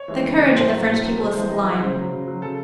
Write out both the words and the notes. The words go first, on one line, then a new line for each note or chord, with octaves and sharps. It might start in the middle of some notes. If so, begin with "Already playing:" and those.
The courage of the French people is sublime.
Already playing: C#5
E3 G#3
C#3
E3 G#3
A2 C5
F#3
A2
F#3
C3 A4
E3 G#3 C5
C3 D#5
E3 G#3 D#5
C#3 C5
F#3
C#3
F#3
C#3 A4